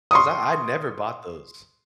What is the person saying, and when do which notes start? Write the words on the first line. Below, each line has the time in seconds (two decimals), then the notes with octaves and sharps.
'Cause I I never bought those.
0.11 C6 C#6 D#6